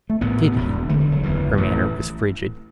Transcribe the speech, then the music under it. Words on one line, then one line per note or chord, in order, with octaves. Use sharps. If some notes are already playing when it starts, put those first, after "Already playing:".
"Did he?" Her manner was frigid.
A3
A1 A2 B3
E1 E2 B2
E1 D2 D3 A3
G3
F#3
F#1 E2 B2 E3
A1 A2